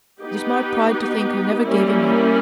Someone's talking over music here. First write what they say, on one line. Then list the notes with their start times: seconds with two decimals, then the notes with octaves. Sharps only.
It is my pride to think I never gave him up.
0.22 B3 D#4 G4 B4
1.65 G3 A#3 C#4 E4 A#4